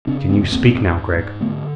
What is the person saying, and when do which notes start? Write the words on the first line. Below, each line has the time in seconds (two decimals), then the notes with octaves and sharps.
"Can you speak now, Gregg?"
0.07 C#3 C4 D4
0.29 E2 B3 C#4
0.52 E2 A#3 C4
0.74 G#2
0.97 G#2
1.18 G#2
1.41 D3 A3 B3